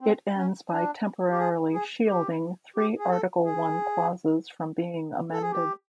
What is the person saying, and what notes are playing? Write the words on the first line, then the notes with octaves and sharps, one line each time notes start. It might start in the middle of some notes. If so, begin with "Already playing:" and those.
It ends by temporarily shielding three Article One clauses from being amended.
C4
C#4
D4
G4
G#4
G#4
G4
G4
G#4
A4
G#4
A4
G#4
G4